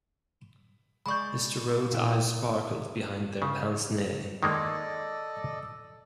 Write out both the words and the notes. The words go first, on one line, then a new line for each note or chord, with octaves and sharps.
Mr. Rhodes's eyes sparkled behind their pince-nez.
G#3 D5 B5 C#6 G6
A#2 E4 G5
C#3
D#3 G#3 A#3 A4 D5 D#5